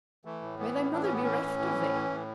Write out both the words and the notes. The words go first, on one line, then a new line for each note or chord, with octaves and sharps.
May thy mother be reft of thee!
E3 A3
A2
E3 B3
A2
E3 D4
C#4
A2 B3
E3 C#4
A2
E3
A2
E3
A2